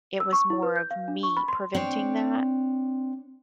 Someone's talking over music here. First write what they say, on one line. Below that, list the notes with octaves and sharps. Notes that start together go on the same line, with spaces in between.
it was more of me preventing that
E6
C#6
E4
B4
G6
F5
D4
C#6
B5
C6
C4 D4 C#5